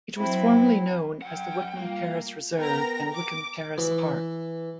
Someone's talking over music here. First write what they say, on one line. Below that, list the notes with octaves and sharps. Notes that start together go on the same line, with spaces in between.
It was formerly known as the Wickham Terrace Reserve and Wickham Terrace Park.
F#3 C4 E4
F#2 F#5 G5
G3 A#3 F4 F5
B3 A#4 G5 A#5 A#6
D6
E3